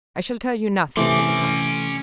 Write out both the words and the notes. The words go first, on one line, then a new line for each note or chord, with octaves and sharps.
"I shall tell you nothing," I decided.
C3 E3 A3 C#4 C6 D6